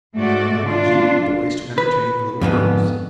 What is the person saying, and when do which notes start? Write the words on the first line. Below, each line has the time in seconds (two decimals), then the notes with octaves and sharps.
I want you and the boys to entertain the little girls.
0.15 G#2 A3 F#4 D5
0.66 D4 F4
1.78 B4
2.41 F2 G#2 D3 B3